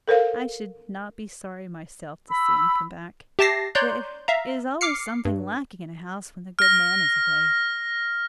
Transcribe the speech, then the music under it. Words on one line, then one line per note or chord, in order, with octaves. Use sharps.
'I should not be sorry myself to see him come back--there is always something lacking in a house when the good man is away.'
A4 A#4 C5 F5
B5 E6
G4 E5 A5 A6 A#6 C7
C#5 D5 A#5 C6 F#6 G6
E5 F5 A#5
D6 F6 C7 C#7
G2
F6 A#6